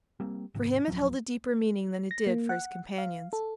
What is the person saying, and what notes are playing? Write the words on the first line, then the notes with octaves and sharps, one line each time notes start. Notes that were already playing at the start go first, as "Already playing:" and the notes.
For him it held a deeper meaning than it did for his companions.
G3 A#3 C4
D#1 D#2 G#2 C3
D1 F3 F#3
A#6
A#3
F#5
F5
A4